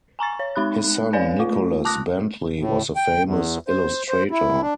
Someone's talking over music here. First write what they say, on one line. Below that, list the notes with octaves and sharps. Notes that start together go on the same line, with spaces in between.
His son Nicolas Bentley was a famous illustrator.
G#5 A#5 C#6 A6
C#5
G#3 D#4 B5 F#6
B4 C#5 D5 F5 G#5
A3 F4
A5 D6 D#6 F#6 A#6
A2
G5
E2
C5
C5
E4
D4